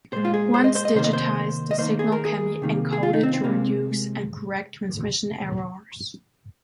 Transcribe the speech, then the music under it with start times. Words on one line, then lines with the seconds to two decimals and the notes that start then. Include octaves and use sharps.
Once digitized, the signal can be encoded to reduce and correct transmission errors.
0.12 A#2 G#3 C5
0.25 F4
0.34 G#4
0.54 C5
0.64 D#5
0.75 C5
0.85 D#5
0.95 C3 D#3 A#3 C5
1.04 D#5
1.13 C5
1.71 D#5
1.78 D#3 A#3 C5
1.99 G#4
2.12 A#4
2.25 G#4
2.62 C3 D#3 A#3
2.93 G#4
3.03 F4
3.13 D#4
3.23 C4
3.33 C4
3.44 C3 G#3 A#3